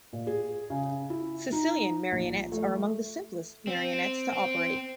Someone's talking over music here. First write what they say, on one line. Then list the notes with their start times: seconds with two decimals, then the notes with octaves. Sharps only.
Sicilian marionettes are among the simplest marionettes to operate.
0.13 A#2
0.27 G#4
0.70 C#3
1.10 E4
1.52 D#4
2.12 A#1
2.52 A3
3.67 C4
4.33 C4